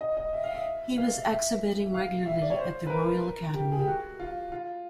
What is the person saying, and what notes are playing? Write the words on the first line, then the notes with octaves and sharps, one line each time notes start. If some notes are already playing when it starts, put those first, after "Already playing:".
He was exhibiting regularly at the Royal Academy.
D#5
D#5
E5
F5
E5
F5
E5
F5
E5
D5
C#5
C5
B4
A#4
G4
G#4
G4
F#4
F4
F4